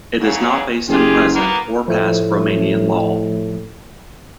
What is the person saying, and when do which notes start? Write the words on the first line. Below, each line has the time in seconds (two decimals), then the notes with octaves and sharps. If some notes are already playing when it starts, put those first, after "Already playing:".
It is not based in present or past Romanian law.
0.20 E2 C#3 F#3
0.88 F#1 F4 G4 G#4
1.32 A#3 B3 A#4
1.88 A2 F3 A3